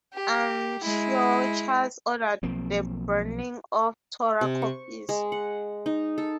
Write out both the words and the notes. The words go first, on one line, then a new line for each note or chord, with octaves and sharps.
Antiochus ordered the burning of Torah copies.
G4
G#3 E4
B1 F3 A#3 C4
C3
C#6
G#3
F#5
D#4
A4